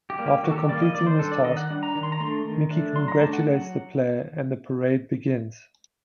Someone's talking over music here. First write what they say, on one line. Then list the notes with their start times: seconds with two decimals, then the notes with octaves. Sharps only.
After completing this task, Mickey congratulates the player and the parade begins.
0.10 G4
0.19 G3 A#3
0.27 G4
0.44 D#3 F#4
0.51 A4
0.56 G4
0.69 G3 A#3 D5
0.82 D#5
0.95 D#3 D5
1.06 C5
1.19 G3 D4 A4
1.32 D5
1.44 D#3 D#5
1.57 F#5
1.70 G3 D4
1.83 A#5
1.95 D#3
2.03 C6
2.12 A#5
2.20 A3 D4 C6
2.45 D#3
2.70 A3 D4
2.95 F#3 C6
3.08 A#5
3.21 A3 D4 A5
3.33 F#5
3.46 F#3